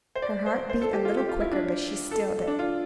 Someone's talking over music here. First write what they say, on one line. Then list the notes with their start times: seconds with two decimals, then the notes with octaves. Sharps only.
Her heart beat a little quicker; but she stilled it.
0.15 C5
0.22 D5
0.46 C5
0.69 C5
0.82 A4
0.93 G4
1.05 F4
1.17 G4
1.29 F4
1.41 E4
1.52 D4
2.11 A4
2.47 D4
2.59 F4